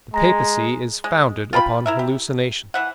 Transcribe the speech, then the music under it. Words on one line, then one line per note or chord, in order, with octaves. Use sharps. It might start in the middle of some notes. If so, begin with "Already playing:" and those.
The papacy is founded upon hallucinations.
G#3 A#5 A#6
G#3
F4 G5 A#5 B5
E4 A#4 E5
G4
E3 E5 F#5